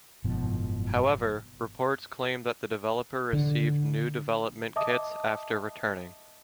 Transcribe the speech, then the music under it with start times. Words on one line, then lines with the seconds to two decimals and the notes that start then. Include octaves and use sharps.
However, reports claim that the developer received new development kits after returning.
0.24 F#1 G#2 B2 F3
3.33 D3
4.76 D#5 E5 A5 D6 D#6